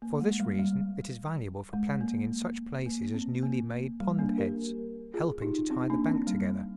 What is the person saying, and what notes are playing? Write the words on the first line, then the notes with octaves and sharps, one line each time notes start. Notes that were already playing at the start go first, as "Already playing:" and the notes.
For this reason it is valuable for planting in such places as newly-made pond-heads, helping to tie the bank together.
A#3
G#3
G3
G3
G#3
A#3
A#3
C4
A#3
G3
A#3 D4
G4 A#4
F4 G#4
D#4 G4
C4 D#4
A#3 D4
C4
G3